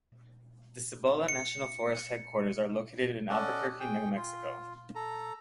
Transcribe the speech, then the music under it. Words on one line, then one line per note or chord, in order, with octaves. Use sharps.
The Cibola National Forest headquarters are located in Albuquerque, New Mexico.
C#7
C#4 A4 D5 D#5 F#5
G#4 G5
F4
A4 A#5